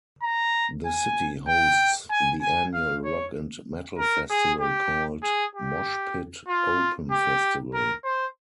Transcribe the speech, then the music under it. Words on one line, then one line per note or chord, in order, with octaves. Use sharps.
The city hosts the annual rock- and metalfestival called Moshpit Open Festival.
A#5
G#5
G5
G#5
G#5
F5
C#5
A#4
G#4
G4
G#4
G4
F4
G4
A#4
C5